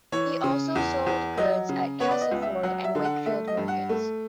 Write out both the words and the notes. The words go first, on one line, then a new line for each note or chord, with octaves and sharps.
He also sold goods at Castleford and Wakefield markets.
E3 C#5
C#3
E2
E2
F#3 D#5
C#3
B3 C#5
D5
D#5
C#2
E5
F#3 F#5
E5
D3
F#5
A3 E5
D#5
G2
F#5
A3